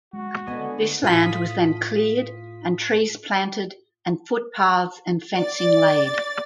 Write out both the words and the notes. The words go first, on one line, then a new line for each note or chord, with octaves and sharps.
This land was then cleared and trees planted and footpaths and fencing laid.
G#3 F#4
D3 B3 D#5 G#5
A2 F4 D#6 B6
D5 A6